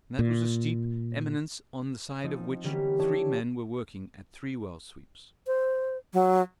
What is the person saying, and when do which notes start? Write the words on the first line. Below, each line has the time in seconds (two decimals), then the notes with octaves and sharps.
That was a steep eminence on the side of which three men were working at three well-sweeps.
0.19 A#2
2.23 F3 C4 D#4
2.64 D3 E3 F#3 G3 A#3 C#4
2.99 D#4 E4 C#5 D5 E5 A5
5.47 C5
6.13 F#3